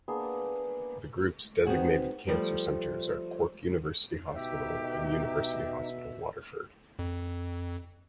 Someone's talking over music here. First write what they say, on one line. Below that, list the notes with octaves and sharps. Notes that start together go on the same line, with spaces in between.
The Group’s designated cancer centres are Cork University Hospital and University Hospital Waterford.
A#3 B3 D4 G#4
B3 C4 D#4 F#4 G#4
F3 G3 A3 A4
B2 D#4 G4 E5
F2